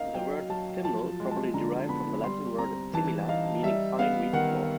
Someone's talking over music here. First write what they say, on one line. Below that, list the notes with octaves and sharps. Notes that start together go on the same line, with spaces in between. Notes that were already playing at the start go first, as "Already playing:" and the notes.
The word "simnel" probably derived from the Latin word "simila", meaning fine, wheaten flour.
Already playing: A#3 D#4 F5
F#3 G5
F#3 A5
F3 A5
G#3
A5
D3 A#5
B3 B5
G3 C6
C4 A#5
E3 A5
D#4 F5
G3 E5
B3 F5
D#3 F#5